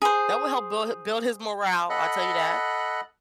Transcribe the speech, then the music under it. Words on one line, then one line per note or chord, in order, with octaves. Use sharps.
That will help build build his morale, I'll tell you that.
G#4 C5
A4 D#5 F#5 B5 F#6